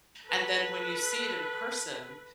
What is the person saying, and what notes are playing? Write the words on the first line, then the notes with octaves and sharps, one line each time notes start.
And then when you see it in person,
A4 B4